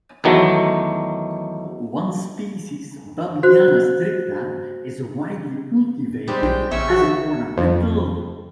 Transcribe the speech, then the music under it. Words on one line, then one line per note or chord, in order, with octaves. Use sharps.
One species, "Babiana stricta", is widely cultivated as an ornamental.
E2 D#3 F#3 A3
F#4 C5 F#6
G3 G#3 C4 G4
B1 G5
A#1 C#3 C#4 E5 C#6 E6
F#4
F2